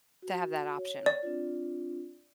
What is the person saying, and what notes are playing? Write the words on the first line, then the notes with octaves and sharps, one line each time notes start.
to have that option.
F#4
C#5
D5
C4 D4 F4